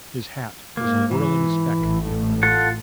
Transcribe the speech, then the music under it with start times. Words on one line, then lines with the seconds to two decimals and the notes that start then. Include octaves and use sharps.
His hat was a whirling speck behind.
0.77 G#2 A#3
1.11 E3
1.80 A1 A2 A3
2.43 F4 A4 F#5